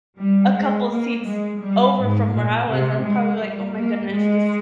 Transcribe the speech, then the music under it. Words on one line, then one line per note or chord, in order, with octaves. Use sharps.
a couple of seats over from where I was and I'm probably like, "Oh my goodness, this
G3
G#3
A#3
G#3
G3
G#2
A#2
C3
G#3
G3
A#3
G#3